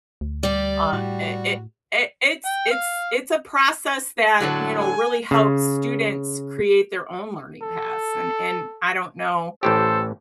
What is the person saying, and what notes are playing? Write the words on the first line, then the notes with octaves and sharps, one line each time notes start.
uh, i i i it's it's it's a process that, you know, really helps students create their own learning paths, and and, I don't know
D2
G3 G4 D5
A2 F#4
G5
F5
A2 D3 F#3 A5
G#5
C#3
A4
A1 A2 G4 A4 C5